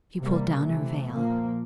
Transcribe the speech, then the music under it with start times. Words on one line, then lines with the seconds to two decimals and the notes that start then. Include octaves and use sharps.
She pulled down her veil.
0.19 C3 G3 A#3
0.65 C3 E3 A3
1.09 A#2 F3 A#3